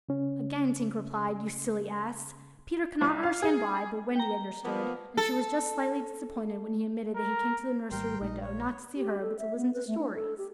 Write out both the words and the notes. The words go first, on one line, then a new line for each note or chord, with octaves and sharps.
Again Tink replied, "You silly ass." Peter could not understand why, but Wendy understood, and she was just slightly disappointed when he admitted that he came to the nursery window not to see her but to listen to stories.
C#3 C#4
C2
F5
G#4
G5 A#5
F3 A#3 B3
A4
A#4
G#1 G3 A#4 G5 C6
A#1 G#3 D#4
C#5
G4
A4
E5
B3
B4
A3
D4
A4
G4